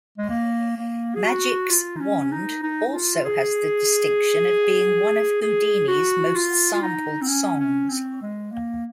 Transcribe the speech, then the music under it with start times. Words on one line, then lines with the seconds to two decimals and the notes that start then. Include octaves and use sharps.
"Magic's Wand" also has the distinction of being one of Whodini's most-sampled songs.
0.18 G#3
0.30 A#3
0.77 A#3
1.16 G#4
1.24 F#4
1.70 F4
1.97 D#4
2.00 C#4
2.32 D#4
2.63 D#4
2.87 D#4
2.93 F4
3.25 G#4
5.42 G#4
5.88 F#4
6.35 F4
6.74 F4
6.82 D#4
7.22 C4
7.29 C#4
7.59 C#4
7.90 C4
8.22 G#3
8.52 A#3